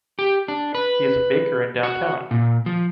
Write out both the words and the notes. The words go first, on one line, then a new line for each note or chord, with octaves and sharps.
He is a baker in downtown.
G4
D4
B4
F#4
A#2
F3